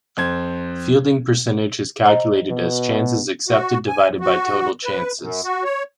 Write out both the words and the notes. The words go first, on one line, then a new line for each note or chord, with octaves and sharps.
Fielding percentage is calculated as chances accepted divided by total chances.
F2 C5 G#6
C5 D#5 A#5
B2
F#4
G#5
F#4
B4
F#2
F#4
C#5